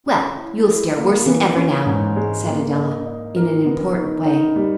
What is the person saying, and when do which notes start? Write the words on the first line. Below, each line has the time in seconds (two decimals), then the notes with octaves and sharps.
"Well, you'll stare worse than ever now," said Adela, in an important way.
0.06 C#4
0.36 E4
0.66 E4
0.96 A#3
1.26 E3
1.56 C#4
1.86 G#2
2.16 G#3
2.46 A#3
2.76 D#5
3.06 D#5
3.36 A#4
3.66 B3
3.96 D#4
4.26 D#4
4.56 G3